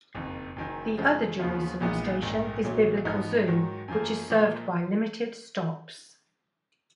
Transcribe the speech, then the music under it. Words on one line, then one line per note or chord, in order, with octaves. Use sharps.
The other Jerusalem station is Biblical Zoo which is served by limited stops.
F#1 F2 D#3
F#1 F#2 D#3
F#2 C#3 F3 G#3
D#2 C#3 F3 B3 F4
A#1 A#2 G#3 B3 D#4
A#1 G#2 D#3
A#1 A#2 F#3
G#2 F3 B3 D#4
G#2 D#3 F#3
F#2 F3 A#3
A#2 F3 A#3